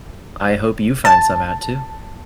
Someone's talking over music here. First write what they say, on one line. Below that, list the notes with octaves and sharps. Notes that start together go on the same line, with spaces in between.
I hope you find some out too.
A5